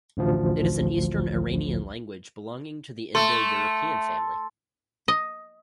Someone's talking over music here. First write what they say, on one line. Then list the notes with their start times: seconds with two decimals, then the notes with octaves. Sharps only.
It is an Eastern Iranian language, belonging to the Indo-European family.
0.17 A1 D2 F3
3.15 A3 C6
5.08 D#5